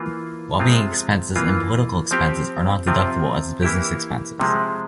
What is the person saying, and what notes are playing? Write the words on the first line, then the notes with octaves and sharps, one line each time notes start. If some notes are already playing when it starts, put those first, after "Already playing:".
Lobbying expenses and political expenses are not deductible as business expenses.
Already playing: E3 A#3 F4
C3 F3 G#3 C4 F4
E3 A#3 F4
F3 C4 G4
C3 F3 C4 F4
E3 A#3 E4 G4
C3 F3 G#3